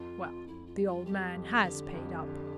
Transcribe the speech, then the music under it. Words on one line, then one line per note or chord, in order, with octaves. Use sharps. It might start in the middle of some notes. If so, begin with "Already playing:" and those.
Well, the old man has paid up.
Already playing: F2 F4
F2
F2 E4
F4
G3
F4
F2 G4
F2
D3 G4
F2
D3